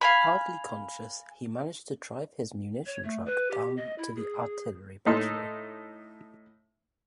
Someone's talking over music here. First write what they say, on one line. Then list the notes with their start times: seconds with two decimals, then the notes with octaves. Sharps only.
Hardly conscious he managed to drive his munition truck down to the artillery battery.
0.01 F5 G#5 B5
2.86 C#5
3.03 A3
3.26 B4
3.51 G4
3.77 D#5
3.98 E4
4.16 G#4
5.06 A2 D#4 A4 C6